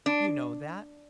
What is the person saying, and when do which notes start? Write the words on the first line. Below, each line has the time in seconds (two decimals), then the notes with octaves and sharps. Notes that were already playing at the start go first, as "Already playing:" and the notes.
You know that.
0.06 D4